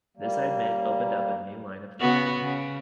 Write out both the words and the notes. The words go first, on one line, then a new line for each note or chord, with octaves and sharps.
This, I admit, opened up a new line of thought.
G3 A#3
C#3 B3 F#4
C#3